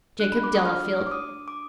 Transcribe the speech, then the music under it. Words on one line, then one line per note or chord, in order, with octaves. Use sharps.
Jacob Delafield?
D4 F#4 F#6
B5
D6
D#6
F6
D6
D#6
D6